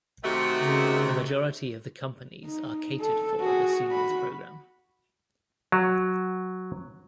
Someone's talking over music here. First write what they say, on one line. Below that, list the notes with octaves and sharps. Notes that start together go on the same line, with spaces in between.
The majority of the companies are catered for the Seniors Programme.
C3 D#3 A3 D#4 F#4
C#3
D#4
A4
F#4 G#4
F#4 B5
F#3